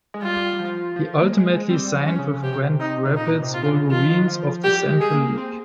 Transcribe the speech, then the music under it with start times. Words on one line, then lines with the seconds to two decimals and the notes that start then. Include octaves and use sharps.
He ultimately signed with Grand Rapids Wolverines of the Central League.
0.14 G#3
0.22 G3 F4
0.53 G3
0.59 F3
0.96 F3
1.22 A#3
1.33 G#3
1.69 G3 C4
1.94 F3
2.06 C#4
2.19 C#3
2.42 C3 G4
2.80 D#4
3.05 C3
3.17 A#2 D#4
3.42 C3
3.54 F4
3.66 C#3
3.90 D#3 F4
3.99 F3
4.06 D#3
4.28 F3
4.64 G3 G4
4.89 G#3
5.01 G#4
5.13 A#3
5.38 C4